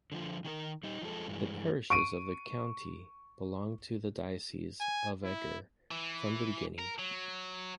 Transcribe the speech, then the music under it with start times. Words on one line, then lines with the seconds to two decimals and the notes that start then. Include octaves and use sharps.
The parishes of the county belonged to the Diocese of Eger from the beginning.
0.12 D3 F3 F4
0.45 D#3 G#4 A#4
0.83 G3 D#4
1.02 F3 G#3 A4
1.28 G2 E3 G#3
1.90 C#6 D7 D#7
4.81 G#5
5.23 E4
5.91 E3
6.79 A#4
6.99 F#3